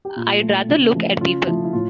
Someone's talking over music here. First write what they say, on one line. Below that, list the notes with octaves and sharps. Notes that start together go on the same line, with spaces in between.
I’d rather look at people.
G4
A#2 F4
A3
C#3
F3 A3
C#3 F4
F3 A3 E4
E4
A2 F4